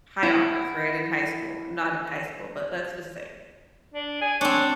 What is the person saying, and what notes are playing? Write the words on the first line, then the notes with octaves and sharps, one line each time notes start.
high honors, right, in high school. I'm not in high school, but let's just say.
E4 F#5
D4
G#5
C4 D4 C#5